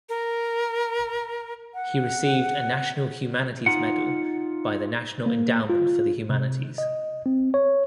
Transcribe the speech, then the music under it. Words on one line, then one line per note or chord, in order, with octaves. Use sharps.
He received a National Humanities Medal by the National Endowment for the Humanities.
A#4
F#5
D#4 F4 F#5
A#3
F4
C3
D#5
C4
C#5